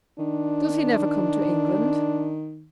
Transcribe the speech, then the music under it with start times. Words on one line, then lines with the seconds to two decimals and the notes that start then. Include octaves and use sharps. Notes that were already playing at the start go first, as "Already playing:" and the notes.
Does he never come to England?'
0.19 D#3 D4